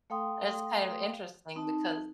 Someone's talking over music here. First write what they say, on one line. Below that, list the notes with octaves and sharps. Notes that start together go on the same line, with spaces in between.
and it's kind of interesting because
A3 A4 F5 G5 C6 D#6
C4 D#4 A5